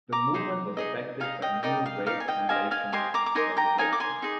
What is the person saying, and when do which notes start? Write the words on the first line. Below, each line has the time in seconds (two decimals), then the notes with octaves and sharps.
The movement was affected by new race relations legislation.
0.12 A#5 D6
0.34 D#4 G#4 C5
0.77 D#4 G#4 D#5
1.20 D#4 G#4 D#5 F5 G#5
1.42 D#5 G5
1.63 D#4 A#4 D5 D#5 G5
1.86 F5
2.06 D#4 A#4 D5 F5
2.20 G#5
2.28 D#5 G5
2.49 G4 C5 D#5 F5 G#5
2.71 F5 G#5
2.92 G4 C5 D#5 G#5 C6
3.14 A#5 D6
3.26 D6
3.35 D#4 A#4 D#5 G#5 C6
3.57 G5 A#5
3.78 D#4 A#4 D#5 F5 G#5
3.93 D6
4.00 G#5 C6
4.22 D#4 G#4